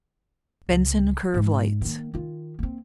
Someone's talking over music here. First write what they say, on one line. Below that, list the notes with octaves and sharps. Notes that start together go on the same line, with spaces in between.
Benson curve lights!
C#2
G#2 G#3
D#3 A#3
D#3 F4
A#3 C4